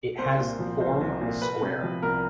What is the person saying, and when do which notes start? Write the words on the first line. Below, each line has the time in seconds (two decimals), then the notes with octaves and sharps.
It has a form of a square.
0.18 C2 C5
0.40 A#2
0.59 F3
0.80 C2 C5
1.01 C2
1.21 A#2
1.42 C2 B4
1.62 C3
1.83 F3
2.03 C2 A#4